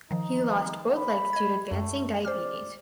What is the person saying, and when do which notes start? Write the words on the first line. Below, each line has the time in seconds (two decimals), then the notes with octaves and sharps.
He lost both legs due to advancing diabetes.
0.11 D#3 F3 D#4
0.96 B5
1.33 D#5 G#6
1.71 F#2 A3
2.25 C5 D5 F6